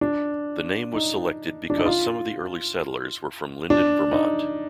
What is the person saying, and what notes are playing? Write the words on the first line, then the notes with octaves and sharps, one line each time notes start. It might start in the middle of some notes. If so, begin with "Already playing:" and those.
The name was selected because some of the early settlers were from Lyndon, Vermont.
D4
D#4
D4
D#4
F4
D4
D#4